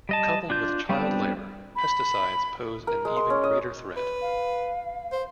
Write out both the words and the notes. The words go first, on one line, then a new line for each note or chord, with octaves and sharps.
Coupled with child labor, pesticides pose an even greater threat.
G3 D#5 A5
D4 F4 G6
G3 B3 C4 D4
B5
A#4
G#3
C6
C#4
D#5
B4
F5
C5